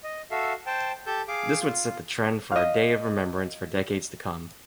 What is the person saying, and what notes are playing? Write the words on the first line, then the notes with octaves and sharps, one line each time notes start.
This would set the trend for a day of Remembrance for decades to come.
D#5
F#4 A4 E5 F5
C5 G5 A5
G4 A4 A5 G6
G#4 F5 D6
F4
D#5 F5